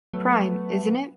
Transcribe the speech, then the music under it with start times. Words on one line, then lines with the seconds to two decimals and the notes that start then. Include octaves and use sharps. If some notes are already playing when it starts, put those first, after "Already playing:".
Prime, isn't it?
0.13 F#3 A3 B3